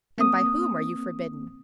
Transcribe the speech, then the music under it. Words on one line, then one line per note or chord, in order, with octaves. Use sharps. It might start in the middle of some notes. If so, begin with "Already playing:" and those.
"And by whom are you forbidden?"
A#3 C4 D#6